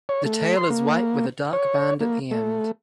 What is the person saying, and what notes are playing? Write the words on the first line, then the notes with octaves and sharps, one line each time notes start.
The tail is white with a dark band at the end.
C#5
A3
C6
A#3
C#5
A#3
A3